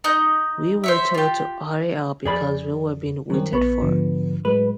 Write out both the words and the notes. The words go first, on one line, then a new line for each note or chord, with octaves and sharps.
We were told to hurry up because we were being waited for.
D#4 D#5 G6
C5 C#5 E5
F4 G4
F2 G#4 D5 B5
F#2 D#3 G3 C4
A#1 B3 B5 C#6
G#2 D3 F3
A2 F#3 G#3 B4